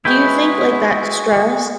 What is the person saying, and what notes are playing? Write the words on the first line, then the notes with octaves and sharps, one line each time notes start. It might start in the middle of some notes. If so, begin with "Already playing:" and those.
Do you think, like, that stress
G#3 E4 F#4 G#4 B4 G5